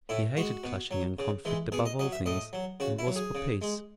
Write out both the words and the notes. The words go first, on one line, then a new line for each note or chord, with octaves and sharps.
He hated clashing and conflict above all things, and was for peace.
A2 E4
G#3 F#4
B2
F#3
C#3
E3 G#3
B2 G#4
D#5
F#3 D#5
E5
A2 D#5
F#3
C#3 F#4
E4
F#3
G#4
C#3
G#3